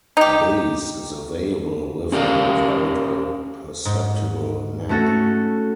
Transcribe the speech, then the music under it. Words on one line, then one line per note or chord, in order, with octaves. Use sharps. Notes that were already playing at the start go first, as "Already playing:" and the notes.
Baize is available with and without a perceptible nap.
D#4 G4
C#4 G4 A#4 D5 F5
G#2
A3 C#4 F#4 A4